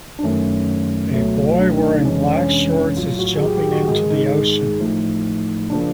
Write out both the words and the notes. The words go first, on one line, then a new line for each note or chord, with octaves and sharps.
A boy wearing black shorts is jumping into the ocean.
D4
F#2 D#3 F#3 A3 C#4
C#2 B2 F#3 A3
D4
D#4
D4
F2 C3 E3 G#3 C#4
D4
C#4
A#1 A2 F#3 F4
F#4
G#4
G4
G4
F#4
G#2 D#3 G#3 G#4
D#4
A1 A2 F3 A3
C#3 F3 A#3 D4